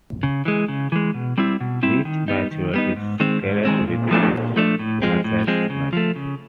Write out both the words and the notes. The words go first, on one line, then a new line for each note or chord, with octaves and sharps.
Ruiz Mateos disagreed with this assessment.
C#3
E3 G#3
C#3
E3 G#3
B2
G3 C4 E4
B2
G3 C4 E4
D#3
G3 B3 D#4
D#3
G3 B3 D#4
G#2
D#3 G#3 C4
G#2
D#3 G#3 C4
A#2
F3 A3 D4
A#2
F3 A3 D4
A2
F3 G#3 C4
A2
F3 G#3 C4
C#3
F3 A3
C#3